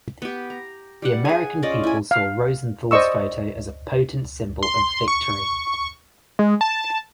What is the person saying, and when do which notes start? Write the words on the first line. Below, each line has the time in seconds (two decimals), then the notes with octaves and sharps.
The American people saw Rosenthal's photo as a potent symbol of victory.
0.22 B3 G4
0.50 A#5
1.02 G3 D5 F#5
1.25 G#4 G#5
1.63 C#4 F4 D5 D#5
1.84 E4 G#5
2.11 F5
2.91 C5 D5 D#5 C#6 E6
4.63 C6
5.08 C#6
6.39 G#3
6.61 A5